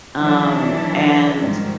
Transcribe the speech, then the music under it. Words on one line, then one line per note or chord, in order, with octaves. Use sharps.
um, and,
D#3 E3 F#3 D4 E4
G#2 D#3 F3 G3